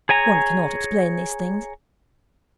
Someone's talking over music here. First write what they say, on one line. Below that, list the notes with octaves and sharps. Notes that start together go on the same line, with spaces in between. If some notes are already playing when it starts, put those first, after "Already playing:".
One cannot explain these things.
G#4 C#5 G#5 A#5